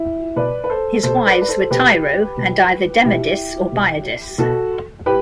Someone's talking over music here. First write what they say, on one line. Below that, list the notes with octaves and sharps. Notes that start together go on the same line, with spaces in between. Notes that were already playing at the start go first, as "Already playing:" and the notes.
His wives were Tyro and either Demodice or Biadice.
Already playing: E4
B2 B4 D5
B4
A4 C5
B2 A4 C5
B4 D5
B4
A4 C5
B2 G4 B4
B2
B2 E4 G4
B2
B2 F#4 A4
A2 G4 B4